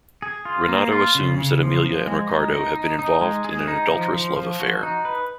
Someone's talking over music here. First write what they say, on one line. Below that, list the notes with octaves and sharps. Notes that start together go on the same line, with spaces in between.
Renato assumes that Amelia and Riccardo have been involved in an adulterous love affair.
G#4
F4
A#3
F4
C#3
C#3
F3
F3
G#3
D#4
D#4
D#4
D#4
G#3
G#4
D#4
F3
F3
F3
F#4
D#4
B4